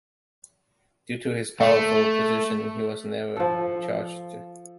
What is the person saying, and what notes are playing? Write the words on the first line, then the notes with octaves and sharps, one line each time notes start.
Due to his powerful position, he was never charged.
A3
F3 A4